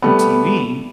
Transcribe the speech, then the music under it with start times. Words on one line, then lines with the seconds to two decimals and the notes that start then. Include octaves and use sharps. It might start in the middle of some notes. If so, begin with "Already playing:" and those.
new TV,
0.02 G3 A3 B3